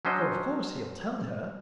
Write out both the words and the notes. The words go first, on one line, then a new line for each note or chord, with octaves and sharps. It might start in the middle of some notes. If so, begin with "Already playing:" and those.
For of course he'll tell her.
F#3 C#4 D4 C5 D#5